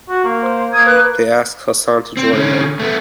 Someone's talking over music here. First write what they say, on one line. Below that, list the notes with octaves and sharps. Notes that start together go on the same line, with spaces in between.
They asked Hassan to join them.
F#4
A#3
C5
A#3 D#6 G#6
B4 F#6
C4 C5
D3 C#4
A3 B3